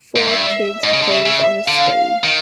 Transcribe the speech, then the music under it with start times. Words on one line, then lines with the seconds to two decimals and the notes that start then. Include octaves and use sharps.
Four kids pose on a stage.
0.16 G#2
0.27 G2 E5
0.84 G#2 D#5
0.94 C#3
1.02 D3
1.11 C#3 E5
1.26 C#3
1.40 E5
1.68 D3 F5
2.24 D#3